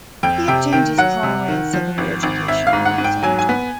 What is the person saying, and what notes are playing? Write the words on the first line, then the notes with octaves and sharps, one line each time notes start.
He obtained his primary and secondary education in his hometown.
F2 G5
C3 G5
D#3 G5
F#3 F#5
C3
D#3
F3
G#1
G#1
G#1 E5
F5
G#2
F#5
G#2
G5
F#3 G#5
G#5
B3